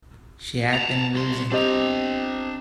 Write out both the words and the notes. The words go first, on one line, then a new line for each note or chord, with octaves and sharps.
She had been losing.
A5 A#5
C2 C6
C4 D4 G4 D#5 A#5